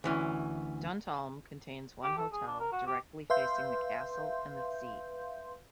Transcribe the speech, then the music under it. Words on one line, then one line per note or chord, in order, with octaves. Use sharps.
Duntulm contains one hotel, directly facing the castle and the sea.
D2 E3 C#4
G4
A4
G#4
D4
A#4
F#4
G4
B4 E5 F5 C6 G6